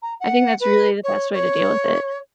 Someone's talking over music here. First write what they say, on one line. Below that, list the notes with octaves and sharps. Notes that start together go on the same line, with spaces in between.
I think that's really the best way to deal with it.
A#5
F#5
B4
C#5
C#5